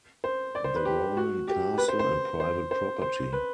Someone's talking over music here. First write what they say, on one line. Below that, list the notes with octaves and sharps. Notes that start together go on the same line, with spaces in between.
The Roman castle and private property.
C5
D5
C5
B4
G4
F#4
G4
B4
C5
C5
C5
C5
C5
B4